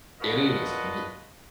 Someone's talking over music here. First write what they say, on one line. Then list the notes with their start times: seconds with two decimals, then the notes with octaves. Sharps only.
it is, and l
0.21 D4 F4 F#4 A#4 B4 D#5